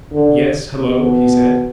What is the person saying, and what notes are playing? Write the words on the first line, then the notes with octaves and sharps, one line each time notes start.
"Yes--hello!" he said.
D3
B2